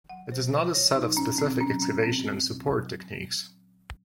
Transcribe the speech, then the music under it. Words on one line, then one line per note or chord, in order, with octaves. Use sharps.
It is not a set of specific excavation and support techniques.
F#3 F#5
F#3
C5
F#3
F#3 C5
A#2 C#5
A#2
D#4
F#3
C#4
A#2
A#2 C4
F#3
C#4
F#3
C#4
A#2
A#2 C4
A#2
A#2
F#3
F#3
F#3